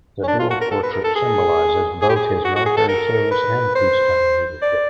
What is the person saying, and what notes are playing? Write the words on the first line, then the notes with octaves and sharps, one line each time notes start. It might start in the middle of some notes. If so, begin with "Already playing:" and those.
The dual portrait symbolizes both his military service and peacetime leadership.
C#4
D4
F4
F#4
A#4
A4
B4
A#4
A4
G#4
G#4
G4
G#4
F#4
F#4
G#4
A4
A#4
B4
C5
D5